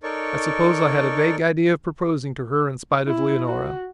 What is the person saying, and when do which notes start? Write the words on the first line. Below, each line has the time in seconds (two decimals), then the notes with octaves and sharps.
I suppose I had a vague idea of proposing to her in spite of Leonora.
0.03 D#4 A4 A#4 C#5 D5 C#6
3.07 E4
3.47 F#4